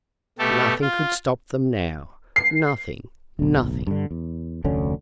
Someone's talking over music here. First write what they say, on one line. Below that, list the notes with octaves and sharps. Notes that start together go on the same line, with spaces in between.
Nothing could stop them now, nothing, nothing.
B2 A3 G4 A4
F4
C7
D1 B1
G2 D3
E2
F1 D2 D3 C#4